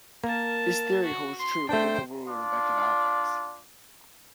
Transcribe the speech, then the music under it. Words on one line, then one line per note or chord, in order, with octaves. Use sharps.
This theory holds true within the world of economics.
A#3 A#4 A5
F#4
C6
A3 D4 C5 G5
D4 F4 D5